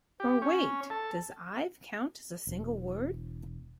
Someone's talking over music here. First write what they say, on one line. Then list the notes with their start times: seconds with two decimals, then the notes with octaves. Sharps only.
Or wait, does I've count as a single word?
0.20 G4
0.42 C#4
0.90 A4
2.47 E1